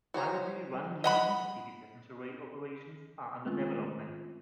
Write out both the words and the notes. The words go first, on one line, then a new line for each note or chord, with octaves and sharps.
Privately run new inter-city passenger rail operations are under development.
F#4 C5 C#5 A#5
D#5 F#5 B5
D#3 G#3 A3 C4 C#4 F4